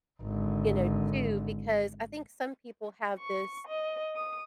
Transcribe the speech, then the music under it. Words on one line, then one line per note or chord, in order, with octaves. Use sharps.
you know, too, because I think some people have this,
G#1 D3
C#6
D#5
D#6